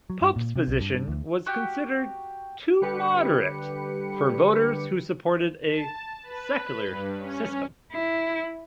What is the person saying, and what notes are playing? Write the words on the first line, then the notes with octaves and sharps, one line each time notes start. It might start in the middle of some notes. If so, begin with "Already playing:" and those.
Pope's position was considered too moderate for voters who supported a secular system.
F#3
G2
A#2
C3
B1
G2
G2
D2
F#4 G4 G5 F6
D3 G3 G4 B4 C#7
A5
B4
G2
C#4
E4